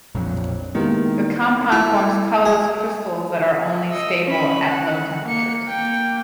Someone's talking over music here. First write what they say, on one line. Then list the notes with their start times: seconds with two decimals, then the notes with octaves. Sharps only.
The compound forms colorless crystals that are only stable at low temperatures.
0.14 A#1 F2 F#3
0.75 D#3 G#3 A#3 B3 E4 G4
1.72 E4
2.46 G#4
3.91 D#5 E6
4.25 C#4 B5
4.69 F#5
5.26 A#3 C#7
5.68 A#3 G5